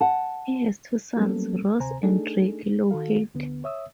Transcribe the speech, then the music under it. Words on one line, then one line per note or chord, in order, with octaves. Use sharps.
He has two sons, Ross and Drake Lawhead.
F#5 A5
F#3 G3 A#3 B3 C#4 A4
D2 C3 C5 G#5 A#5
A3 D4 D#4 G#4 A4
D#3 F#4 A4 F5
D2 D3 B3
C#5 E5 D#6 E6